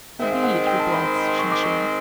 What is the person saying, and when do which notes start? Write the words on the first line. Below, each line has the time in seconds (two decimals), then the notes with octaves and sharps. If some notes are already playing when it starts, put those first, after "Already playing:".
"He did," replied Shinshin.
0.19 D#3 G#3 C4 E5
0.31 F5
0.43 F#5
0.55 F#5
0.67 G5
0.79 A5
0.92 B5
1.03 B5
1.16 B5
1.27 C6
1.39 C#6
1.51 D6
1.63 C#6